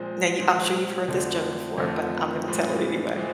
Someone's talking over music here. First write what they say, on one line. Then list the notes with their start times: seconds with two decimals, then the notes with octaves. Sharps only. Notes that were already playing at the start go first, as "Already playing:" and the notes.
now you I'm sure you've heard this joke before, but I'm gonna tell it anyway.
Already playing: A#2 F3 G#3 C4
0.39 A#2 F3 G#3 C4
1.08 F2 D3 F3 A3
1.77 F2 D3 F3 A3
2.47 A2 E3 G#3 C4 F4
3.16 A2 E3 G#3 C4 F4